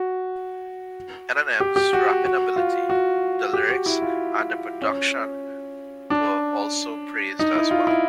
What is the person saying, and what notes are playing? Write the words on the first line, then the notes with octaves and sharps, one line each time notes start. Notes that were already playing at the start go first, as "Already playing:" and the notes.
Eminem's rapping ability, the lyrics and the production were also praised as well.
Already playing: F#4
G4
G4
F#4
F#4
F4
F#4
G4
F#4
E4
F4
C#4
D4
D#4
E4
F4
E4